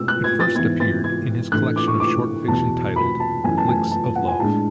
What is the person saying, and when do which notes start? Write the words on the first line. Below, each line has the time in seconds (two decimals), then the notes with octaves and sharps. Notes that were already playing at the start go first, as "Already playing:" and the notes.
It first appeared in his collection of short fiction titled "Licks of Love".
Already playing: B2 G#3 C#4 E4 E6
0.08 F#6
0.24 G#6
0.40 A6
0.55 G#2 E3 B3 G#6
0.80 A6
1.04 G#6
1.52 A2 E3 A3 D4 F#6
1.76 D6
1.88 C#6
2.00 D6
2.48 E2 B2 F#3 A5
2.96 B5
3.20 A5
3.44 F#2 E3 A3 C#4 E4 G#5
3.57 A5
3.68 G#5
3.91 A5
4.04 A5
4.16 F#5
4.28 G#5
4.40 A2 G#3 D4 A5